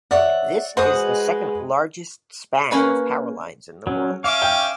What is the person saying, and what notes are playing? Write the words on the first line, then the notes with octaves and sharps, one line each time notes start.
This is the second largest span of power lines in the world.
C#5 D5 E5 F#5
G#3 F#4 B4 C5 D#6
A#3 C#4 A#4 B4 C#5 G#5
F#3 C#4
C#4 E5 F5 D6
G5